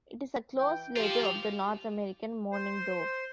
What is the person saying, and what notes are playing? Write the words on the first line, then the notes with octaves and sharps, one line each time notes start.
It is a close relative of the North American mourning dove.
E3 G5
F3 F4 G4
C5